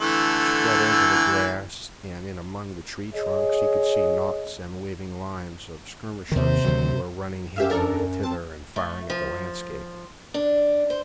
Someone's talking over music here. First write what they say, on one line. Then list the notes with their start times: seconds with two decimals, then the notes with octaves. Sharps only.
Spread over the grass and in among the tree trunks, he could see knots and waving lines of skirmishers who were running hither and thither and firing at the landscape.
0.01 D3 E3 A3
3.14 G#4 C#5 D#5
6.32 D#2 C3 D#3 C5
6.65 D2 D#3 F#3
7.56 F#2 G4 E5 F5
7.70 D4 A4 A#4
8.23 C4 A5
8.76 A3
9.10 F3
10.34 D4
10.90 C5